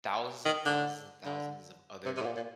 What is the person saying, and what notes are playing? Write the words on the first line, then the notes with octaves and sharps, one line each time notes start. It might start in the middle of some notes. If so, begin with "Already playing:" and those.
thousands and thousands and thousands of other,
D#3
D3
D3
C3
C3
A2
A#2
A#2